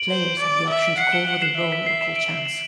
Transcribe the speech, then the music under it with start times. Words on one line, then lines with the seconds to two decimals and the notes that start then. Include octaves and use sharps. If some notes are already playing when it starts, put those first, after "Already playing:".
Players have the options to call what they roll or call chance.
Already playing: D7 F#7
0.09 C5
0.38 D5
0.68 E5
0.82 B6 D7
0.97 F#5 C7
1.12 E7 G7
1.27 F#5 D7 F#7
1.42 C7 E7
1.57 E5 C7
1.72 B6
1.87 C7
2.01 C7 E7
2.16 D7 F#7
2.31 D7 F#7
2.45 C7 E7